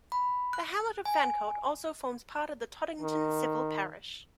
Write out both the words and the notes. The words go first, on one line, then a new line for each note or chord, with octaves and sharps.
The hamlet of Fancott also forms part of the Toddington civil parish.
B5
F#6
G#5
D#3